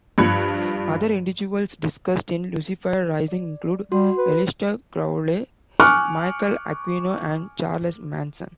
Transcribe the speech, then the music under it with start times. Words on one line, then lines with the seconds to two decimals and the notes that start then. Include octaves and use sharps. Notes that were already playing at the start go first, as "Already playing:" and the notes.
Other individuals discussed in "Lucifer Rising" include Aleister Crowley, Michael Aquino, and Charles Manson.
0.18 G2 F3 B5 F#6 G#6 C#7
3.28 D5
3.92 G3 F#4 C6
4.18 B4
5.80 G#5 C#6 D6 F6 F#6